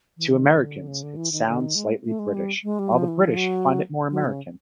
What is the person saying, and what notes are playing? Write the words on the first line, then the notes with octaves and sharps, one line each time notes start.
To Americans, it sounds slightly British, while the British find it more American.
E3
D#3
D3
C#3
D3
E3
D#3
D3
D#3
G#3
A3
G#3
G3
G#3
G3
F3
E3
F3
F#3
F#3
C#3